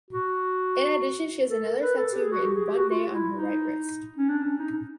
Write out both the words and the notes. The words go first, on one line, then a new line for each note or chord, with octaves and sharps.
In addition she has another tattoo written "One Day" on her right wrist.
F#4
A4
A#4
B4
A4
G4
G#4
F#4
G4
G#4
G4
F#4
F4
E4
D#4
C#4
D4
C#4
D#4